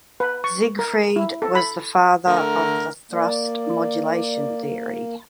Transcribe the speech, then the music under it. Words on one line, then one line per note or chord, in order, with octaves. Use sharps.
Siegfried was the father of the "thrust modulation theory".
B4
C#6
A#4
E4
A4
B5
D3 A3 A#4
A#3 D5